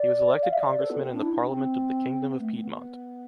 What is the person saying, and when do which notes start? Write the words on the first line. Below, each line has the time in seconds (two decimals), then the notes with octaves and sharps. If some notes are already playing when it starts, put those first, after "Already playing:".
He was elected congressman in the Parliament of the Kingdom of Piedmont.
Already playing: D5
0.43 F5
0.50 E5
0.58 D5
0.69 D5
0.80 A4
0.90 B3
1.01 C4
1.12 D4
1.23 E4
1.33 D4
1.44 C4
2.30 B3
2.40 A3
2.55 C4
2.62 B3
2.72 B3